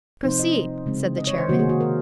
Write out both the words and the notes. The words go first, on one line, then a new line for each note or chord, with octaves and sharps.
"Proceed," said the chairman.
C3 F3 C4 D#4 C5
D#5
C#3 G#3 C4
D#5
C#5
C5
C3 D#3 A#3 F#4
G#4
F#4
A#4